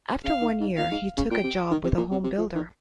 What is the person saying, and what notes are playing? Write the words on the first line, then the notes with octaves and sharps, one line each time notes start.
After one year, he took a job with a home builder.
C#3 F5
D#3
G#2
A#2 F5
G#2
C#3
A#2 G5
C3
D#3
C3
A#2
C3
C3
F3
D#3